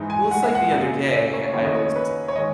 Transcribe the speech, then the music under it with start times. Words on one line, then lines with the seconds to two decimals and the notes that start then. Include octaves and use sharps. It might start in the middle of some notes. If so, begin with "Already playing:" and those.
Well, it's like the other day, I was
Already playing: G#2 E3 G#3 D#4
0.10 G#5
0.31 F#5
0.43 E5
0.55 F#5
0.72 F#2 C#3 F#3 A#3 D#4
1.12 E5
1.34 C#5
1.54 F#2 D#3 A#3 E4 C#5
1.65 D#5
1.74 C#5
1.96 B4
2.28 C#5
2.35 D#3 G#3 D#5